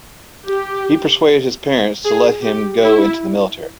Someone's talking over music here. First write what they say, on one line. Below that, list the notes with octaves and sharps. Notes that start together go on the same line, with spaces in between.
He persuaded his parents to let him go into the military.
G4
G#4
G4
E4